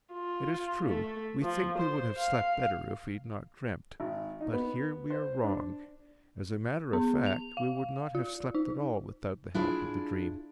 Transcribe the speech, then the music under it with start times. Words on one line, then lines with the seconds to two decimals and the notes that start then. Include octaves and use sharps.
It is true, we think we would have slept better if we had not dreamt, but here we are wrong; as a matter of fact, we would not have slept at all without the help of the dream.
0.13 F4
0.86 A3
1.43 F3
1.78 C5
2.18 F5
4.00 G#1
4.41 D#4
4.53 B3
5.10 C5
5.44 D4
6.93 B3
7.26 F7
7.57 F5
8.15 F4
8.54 D#4
9.55 D4 E4 F4 G#4